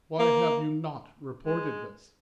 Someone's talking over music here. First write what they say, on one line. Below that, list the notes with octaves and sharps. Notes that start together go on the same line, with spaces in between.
Why have you not reported this?
A#3
G#3